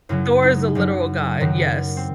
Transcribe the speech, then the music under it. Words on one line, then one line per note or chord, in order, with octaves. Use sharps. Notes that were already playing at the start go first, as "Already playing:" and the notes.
Thor is a literal god, yes.
F#2 C#3 F#3 E4
D#4
F#2 C#3 F#3
F#2 D#3 F#3
C4